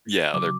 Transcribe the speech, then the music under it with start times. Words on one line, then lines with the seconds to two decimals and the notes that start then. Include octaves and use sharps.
Yeah, other
0.34 C#3 F#3 D6